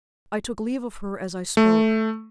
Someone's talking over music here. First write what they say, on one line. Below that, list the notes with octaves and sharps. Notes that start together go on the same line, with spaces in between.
I took leave of her as I spoke.
A3